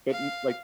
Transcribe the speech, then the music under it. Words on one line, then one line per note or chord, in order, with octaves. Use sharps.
but n like
F5